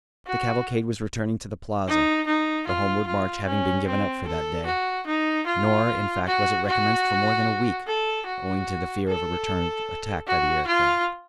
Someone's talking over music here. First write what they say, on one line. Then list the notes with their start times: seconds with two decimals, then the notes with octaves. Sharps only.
The cavalcade was returning to the plaza, the homeward march having been given up for that day; nor, in fact, was it recommenced for more than a week, owing to the fear of a return attack by the air craft.
0.27 F#4
1.87 D#4
2.27 D#4
2.67 F4
3.07 F4
3.46 C#4
3.87 C4
4.27 A4
4.66 F#4
5.07 D#4
5.46 F4
6.27 F#4
6.67 F#4
7.87 A4
8.26 F#4
9.07 A4
10.27 F#4
10.67 F4